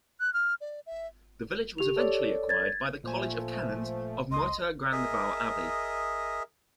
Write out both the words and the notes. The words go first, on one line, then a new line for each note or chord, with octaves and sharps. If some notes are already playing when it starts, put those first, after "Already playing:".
The village was eventually acquired by the college of canons of Moutier-Grandval Abbey.
F#6
F6
D5
E5
G4 F7
A4 C#5 D5
G#6 A6
A#2 F3 A3 C5 G#5
C#2 D#5 C6 D#6
G#4 A#4 D#5 E5